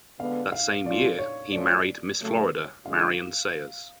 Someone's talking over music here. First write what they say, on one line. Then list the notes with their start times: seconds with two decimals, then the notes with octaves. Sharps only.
That same year, he married "Miss Florida" Marion Sayers.
0.19 D3 G#3 B3 F5
0.52 F5
0.85 F#3 A3 C#4 F4 D5
1.19 C#5
1.52 F3 A3 C#4 F4 D5
2.19 C#3 F#3 A3
2.86 D3 G#3 C#4 F4 F5